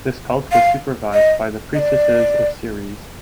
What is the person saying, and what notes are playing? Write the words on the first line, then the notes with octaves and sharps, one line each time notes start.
This cult was supervised by the priestesses of Ceres.
F5
D#5
D#5
D5